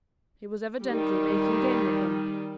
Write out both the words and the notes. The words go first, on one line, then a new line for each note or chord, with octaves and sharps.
He was evidently making game of them.
D#3 G3